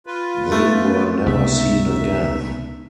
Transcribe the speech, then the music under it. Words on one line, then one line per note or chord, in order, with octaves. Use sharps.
They were never seen again.
F4 B4
A3 B3
C#2 C3 B3 D#4 E5